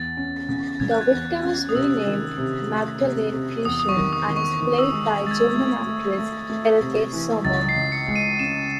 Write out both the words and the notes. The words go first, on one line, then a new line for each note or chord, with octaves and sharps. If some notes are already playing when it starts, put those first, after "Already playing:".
The victim is renamed Magdalene Kruschen and is played by German actress Elke Sommer.
Already playing: E2 A6
C#4
C#3
C#3 G#6
F#6
G#6
E2
C#4
D#6
C3 E6
D#3
C3
A3
C3
C3
E2 D#6
D#6
C#6
D#3
D#6
D#3
C#6
D#3 C#6
E6
D#6
G#3
G#3 A6
G#6
A3
A3
A3
A3
C3
E3
C#2 A6
C7
C#2
C#7
G#3
D#7
C#4 E7